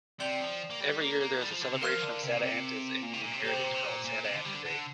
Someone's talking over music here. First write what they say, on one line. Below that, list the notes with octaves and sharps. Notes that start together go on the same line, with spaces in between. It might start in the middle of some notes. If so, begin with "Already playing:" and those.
Every year there is a celebration of Satanta's Indian heritage called Satanta Day.
C3 D5 G5 C6 G6
F3
A#3
G3
A#3
A#3
F3
G3
F3
D3
C3
F3 A#4 F5 C6 F6
D3
C3
A#2
C3
A#2
C3
A#2
C3
A#2 G4 C5 G5
C3
A#2
C3
A#2
A#2
C3
D3
G3
D3
D3